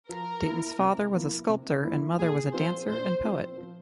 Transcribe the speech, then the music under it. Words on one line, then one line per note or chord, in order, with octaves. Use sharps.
Dayton's father was a sculptor and mother was a dancer and poet.
F3 A#4
A#3 E4
C3
F3 A#3 E4
C3
F3 A#3 E4
A#2 G#4
F3 C4 F4 C5
A#2 C5
F3 C4 F4
F3